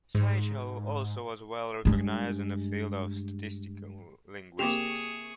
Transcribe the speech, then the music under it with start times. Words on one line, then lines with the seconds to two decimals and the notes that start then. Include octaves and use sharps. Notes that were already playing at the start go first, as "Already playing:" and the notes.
Sichel also was well recognised in the field of statistical linguistics.
0.15 G#2
1.85 G2 G#3
4.59 C3 A#3 G4 G#4 C#6 E7 F7